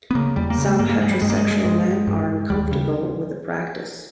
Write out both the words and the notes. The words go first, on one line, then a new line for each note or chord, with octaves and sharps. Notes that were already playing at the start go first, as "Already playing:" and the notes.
Some heterosexual men are uncomfortable with the practice.
B3
C#3 A#3
E2 G3
A#3
C#3
G#3
G2 A#3
A#3
G#3
G3
G2 G#3
A#3
G#3
G#3
G2 G#3
G2
D#2 G3
C#3